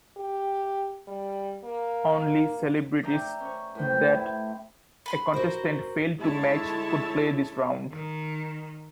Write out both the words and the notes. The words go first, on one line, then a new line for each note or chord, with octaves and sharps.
Only celebrities that a contestant failed to match could play this round.
G4
G3
A#3
D5 E5 G5 A#5
C#4 C#6
A2 B4 C5 G5
A2 E4
B4 B5 C6
F#4 A#4 C5
D3 G#3 E4 C#5 E5 A5
D#3